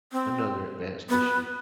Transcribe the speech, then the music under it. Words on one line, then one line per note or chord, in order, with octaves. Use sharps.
another advanced issue,
C4
B3